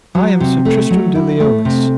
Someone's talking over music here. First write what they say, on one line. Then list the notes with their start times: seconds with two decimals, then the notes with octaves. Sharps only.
I am Sir Tristram de Liones.
0.15 F#3
0.40 C3
0.65 A3
0.90 F#3
1.15 E4
1.40 A3
1.65 C3